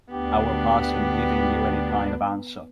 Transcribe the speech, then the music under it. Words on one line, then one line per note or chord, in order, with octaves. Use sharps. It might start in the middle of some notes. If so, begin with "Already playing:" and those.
I will pass on giving you any kind of answer.
D2 B3 D4 G4